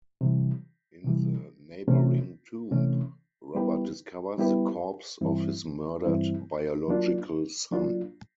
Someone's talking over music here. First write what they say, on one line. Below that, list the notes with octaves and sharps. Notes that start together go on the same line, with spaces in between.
In the neighboring tomb, Robert discovers the corpse of his murdered biological son.
C3 E3 G3
C3 E3 G3
C3 E3 A3 C#4
C3 E3 A3 C#4
G3 B3 E4 G4 B4
G3 B3 E4 G4 B4
G2 E3 G3 C4 E4
G2 E3 G3 C4 E4
F#3 A#3 D4 F4
F#3 A#3 D4 F4